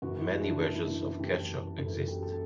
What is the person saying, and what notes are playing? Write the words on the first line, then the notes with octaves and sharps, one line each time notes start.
Many versions of cacho exist.
F#2 E3 F#4
E4
D4
F#2 E3 E4
E4
E4
F#2 E3 G4
F#2 E3 A4
F#4
G4
A4